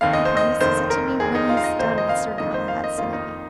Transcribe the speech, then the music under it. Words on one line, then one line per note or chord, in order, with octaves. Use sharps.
He promises it to me when he has done with Sir Galahad,' said Amy.
F1 D#2 D#3 F5
D#5
C5
D#5
F1 D#2 D#3 C5
A#4
F1 D#2 D#3 G#4
D#4
F4
F5
D#5
F1 D#2 D#3 C5
D#5
F5
F2 D#3 A#3 D#5
C5
F5
D#5
F2 D#3 A#3 F4
D#4